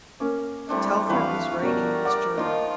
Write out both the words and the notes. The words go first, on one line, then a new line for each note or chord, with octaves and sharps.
Telford was writing in his journal.
A#3 C#4 D6
E3 G3 A3 C4 D4
F2 E3 F#3 A3 B4 F5
F#2 B2 G3 A#4
D5 F#5 D6
D#3 F3 A#3 D#4 F4